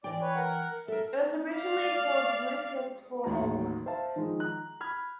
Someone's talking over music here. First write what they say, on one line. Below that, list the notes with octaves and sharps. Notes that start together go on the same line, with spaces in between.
It was originally called Blue Pits for Heywood.
E3 D5 G5
B4 C#5
A#4 F#5
A4 A#4 E5
D5 F5
A1 D#2 F#4 A#5
C5 E5 F5 A5
D#3 F3 G#3
A#5 F#6
B5 F6 G#6